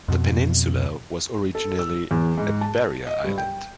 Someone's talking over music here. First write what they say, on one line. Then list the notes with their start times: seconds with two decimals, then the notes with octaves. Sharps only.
The peninsula was originally a barrier island.
0.08 F2 B2
1.55 A4
1.79 E6
2.11 E2
2.38 G#2
2.61 A5
3.07 D#5
3.24 G2
3.38 G5